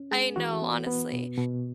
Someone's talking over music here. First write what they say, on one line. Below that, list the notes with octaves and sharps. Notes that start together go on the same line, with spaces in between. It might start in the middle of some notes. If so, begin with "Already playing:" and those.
I know, honestly,
Already playing: C#4
G#3 G#4
E3 F#4
B3
B3
B2
B2